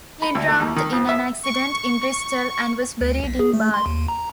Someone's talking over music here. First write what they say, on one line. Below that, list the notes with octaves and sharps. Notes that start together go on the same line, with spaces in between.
He drowned in an accident in Bristol and was buried in Bath.
B5
D2
A3
D#2
D#3
F2
E5
C#6
D2
B1
G#4
A3
C6
D#2
A#5